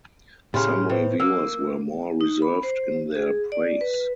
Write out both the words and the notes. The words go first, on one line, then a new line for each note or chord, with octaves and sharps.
Some reviewers were more reserved in their praise.
A2 C#3 G4 C6 F6
A2 B4 C5
A#3 E6
D#4
B5
C5
G#4
D5
B4